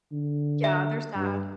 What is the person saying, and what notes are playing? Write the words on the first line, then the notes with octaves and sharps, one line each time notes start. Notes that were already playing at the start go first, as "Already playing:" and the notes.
Yeah, they're sad.
D3
E5
G2